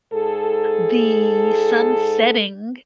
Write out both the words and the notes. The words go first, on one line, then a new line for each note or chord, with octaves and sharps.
the sun setting
G#2 G#4 A4